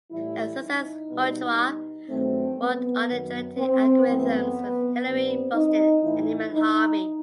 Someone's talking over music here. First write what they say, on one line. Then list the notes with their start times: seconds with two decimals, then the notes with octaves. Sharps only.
At Sussex Ochoa worked on genetic algorithms with Hilary Buxton and Inman Harvey.
0.11 A2 E3 G3 E4
0.61 D#4
1.10 B2 G3 B3
2.09 G2 D#3 F#3 A3 C4
2.59 B3
3.08 F#2 D#3 F#3 B3
3.57 C4
4.07 F#2 E3 A3 B3
5.05 G2 D#3 G3 B3 C4
5.55 D#4
6.04 A2 E3 A3 E4
6.54 D#4